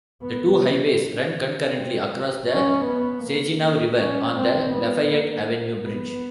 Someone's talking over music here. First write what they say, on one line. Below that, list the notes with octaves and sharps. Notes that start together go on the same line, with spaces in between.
The two highways run concurrently across the Saginaw River on the Lafayette Avenue Bridge.
B3
C4
C#4
B3
A#3
A#3
C#4
C4
B3
A#3
A#3
B3